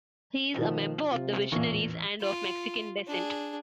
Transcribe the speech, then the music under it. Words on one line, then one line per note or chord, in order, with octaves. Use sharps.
He is a member of The Visionaries and Of Mexican Descent.
B2 D#3 F3
C3 F4
A1 E2 A#2 C#6
F4
D4 G#4